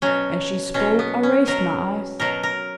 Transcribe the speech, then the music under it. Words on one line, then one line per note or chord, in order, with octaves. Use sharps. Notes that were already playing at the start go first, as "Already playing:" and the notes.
As she spoke I raised my eyes.
B2 F#3 C#4
B2 F#3 C#4
B3
C#4
B2 F#3 A#4
B2 F#3 A#4
A#4